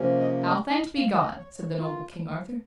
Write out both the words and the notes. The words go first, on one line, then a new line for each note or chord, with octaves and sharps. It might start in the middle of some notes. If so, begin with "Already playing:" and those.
NOW thanked be God, said the noble King Arthur.
Already playing: C3 F3 A#3 C#4
D#5
D#5
D#5
F5
D#5
C#5
C#5
F4